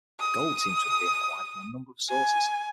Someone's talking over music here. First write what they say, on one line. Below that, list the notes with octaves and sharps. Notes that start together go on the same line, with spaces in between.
Gold seems to have been acquired from a number of sources.
D#6
G#5